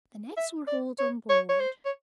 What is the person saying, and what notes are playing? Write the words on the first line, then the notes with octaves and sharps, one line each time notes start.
The nets were hauled on board.
E5
D5
C#5
C#5
C#5
C5
C#5